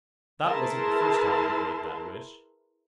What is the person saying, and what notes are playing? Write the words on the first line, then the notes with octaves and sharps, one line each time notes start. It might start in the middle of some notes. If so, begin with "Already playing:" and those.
That wasn't the first time he'd made that wish.
E4 G#4 A#4 B4 A5 C6